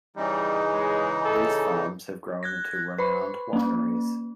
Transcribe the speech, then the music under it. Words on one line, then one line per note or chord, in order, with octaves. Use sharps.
These farms have grown into renowned wineries.
C#3 E3 G3 D#4
G#3
A4
F#6 G#6 A#6
B4 C5 B5
A#3 C#4